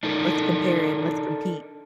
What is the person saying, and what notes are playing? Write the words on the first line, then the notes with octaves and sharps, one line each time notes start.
Let's compare and let's compete.
D4 D#4 A4 A#4